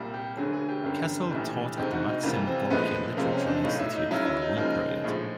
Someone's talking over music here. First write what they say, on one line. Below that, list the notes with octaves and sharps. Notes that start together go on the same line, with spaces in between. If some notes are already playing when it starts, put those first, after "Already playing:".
Kassil taught at the Maxim Gorky Literature Institute for a long period.
Already playing: C2 A#2 G3
G4
E1 D2 D3 F#3 G#4
G#4
G4
G1 F#2 D3 G3
A#1 A2 E3 G3
D2 C3 D#3 G#3 G4
F#4
D#4
F2 C3 E3 G3 A#3
C4
A#1 A2 F3 G#3 B3
C#2 C3 F3 G#3 A#3
C#4
D#4
D4
B1 A2 F#3 D#4
E4
D#4
C#2 C#3 F#3 E4
E4
D#4
D#2 C#3 F3 G#3
A#1 A2 F3 G#3